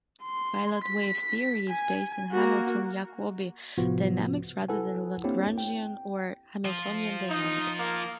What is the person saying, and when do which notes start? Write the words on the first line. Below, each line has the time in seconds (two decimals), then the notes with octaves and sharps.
Pilot Wave theory is based on Hamilton-Jacobi dynamics rather than Lagrangian or Hamiltonian dynamics.
0.23 C6
0.84 B6
1.70 G#5
2.32 A#3 F#4
3.78 A2 C3 F3 B3 F4 F#4
4.69 E4 A4 B4 F#5 G#5
5.24 A#3 C4 D4 E4 G4 C#5
5.58 G5
6.65 F3 F4
7.30 D#4
7.79 A#3